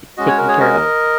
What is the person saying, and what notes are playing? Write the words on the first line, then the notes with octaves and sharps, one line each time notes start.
it's taken care of."
G#3 C#4 F#4 D#5
C#5
A#4
G#4 C#5
A#4 D#5